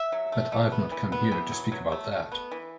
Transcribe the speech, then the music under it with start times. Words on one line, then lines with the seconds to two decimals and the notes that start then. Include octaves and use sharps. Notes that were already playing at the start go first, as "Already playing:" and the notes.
But I've not come here to speak about that.
Already playing: E5
0.12 F#3
0.32 A3
0.52 A3
0.72 B3
0.92 E3
1.12 B3
1.32 E3
1.52 F#3
1.72 F#3
1.92 A3
2.12 A3
2.32 B3
2.51 E3